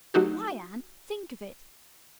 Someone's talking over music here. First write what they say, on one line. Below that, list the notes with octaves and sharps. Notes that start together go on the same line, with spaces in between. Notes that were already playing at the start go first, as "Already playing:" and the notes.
Why, Anne, think of it!
F#3 A3 D#4 F#4 G4